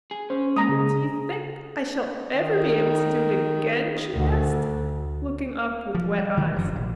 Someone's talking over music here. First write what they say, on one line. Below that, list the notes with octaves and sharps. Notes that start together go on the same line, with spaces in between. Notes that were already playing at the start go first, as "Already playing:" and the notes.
"Do you think I shall ever be able to do it again?" she asked, looking up with wet eyes.
G#4
C#4 C5
G#3 A#3 A#5 D#6
C#3 G#4
D#3
D2
F3
G3
D#3 E3 A3
F1 F#2 D3 F#3
A#1